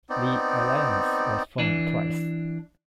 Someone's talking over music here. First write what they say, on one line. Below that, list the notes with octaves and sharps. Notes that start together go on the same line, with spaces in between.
The Alliance was formed twice.
B3 C4 D#4 D5
E3 D4